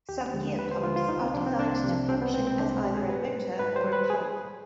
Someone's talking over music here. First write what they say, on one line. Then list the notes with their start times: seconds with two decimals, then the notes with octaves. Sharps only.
Some gear pumps are designed to function as either a motor or a pump.
0.09 D#2 G4
0.34 D3 F3 G#3
0.59 D#2 B4
0.71 C5
0.83 D3 F3 G#3 F4
0.96 F4
1.09 C2 D#4
1.21 C4
1.33 C3 D4
1.37 F3
1.46 C4
1.59 C2 D4
1.84 C3 F3
2.09 C2 C4
2.22 B3
2.34 B2 C4
2.38 G#3
2.47 C4
2.59 C2 D4
2.84 B2 G4
2.87 G#3
2.97 G#4
3.09 G#2 B4
3.35 G3
3.59 G#2 B4
3.76 C5
3.84 G3
3.93 B4
4.10 G#4